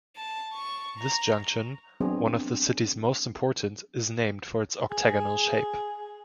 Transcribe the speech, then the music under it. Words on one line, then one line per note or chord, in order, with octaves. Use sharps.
This junction, one of the city's most important, is named for its octagonal shape.
A5
C#6
A#5
F#3 B3 C4 D4 G#4
G#4